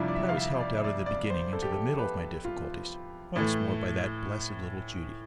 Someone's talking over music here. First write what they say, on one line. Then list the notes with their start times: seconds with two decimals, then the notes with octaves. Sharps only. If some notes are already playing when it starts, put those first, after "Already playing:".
But I was helped out of the beginning into the middle of my difficulties, once more by that blessed little Judy.
Already playing: F2 C3 G3 D4 E4 F4
0.08 D5
0.15 E5
0.29 F5
0.38 E5
0.60 D5
0.76 E5
0.84 D5
1.06 D5
1.30 C5
1.53 A4
1.62 G4
1.72 A4
1.99 B4
2.44 F4
3.36 A2 E3 A3